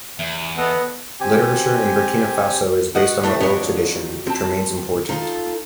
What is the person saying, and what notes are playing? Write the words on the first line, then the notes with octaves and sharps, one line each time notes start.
Literature in Burkina Faso is based on the oral tradition, which remains important.
E2 E5
B3 A4 D#5 F#5
C4 G4 G#5
F#4 D#5 F#5
A2 G3 A3 B3 E5
F2 F#3 B3 D4 C#5
C4 A5
D#4 F4 A4